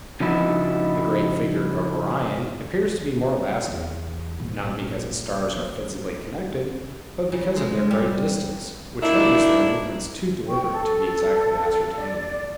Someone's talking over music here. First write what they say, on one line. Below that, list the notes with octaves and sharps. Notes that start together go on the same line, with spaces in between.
The great figure of Orion appears to be more lasting, not because its stars are physically connected, but because of their great distance, which renders their movements too deliberate to be exactly ascertained.
C#3 F3 D#4 E4 F#4
E2
G#1 A#2
F#1
C#3
G#3
G3
D#3 A#3 D4 E4
G5 C#6
A4
D5